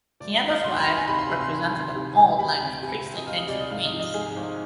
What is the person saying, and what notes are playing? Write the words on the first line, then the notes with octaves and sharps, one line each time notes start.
He and his wife represented an old line of priestly kings and queens.
D2 D5
D#5
D#3
F5
D2 C6
B5
C6
D#3 B5
G#5
C3 B5
C6
C3 C6
C6
D#3
D#3
C3
D2
C3 B5
G#5
C3
G5
C3 G#5
D2
D#5
D2 F5
D#5
C3 D5
D#5
G#2 F5
D#5
F3
D#5
G#2 G#4
G#1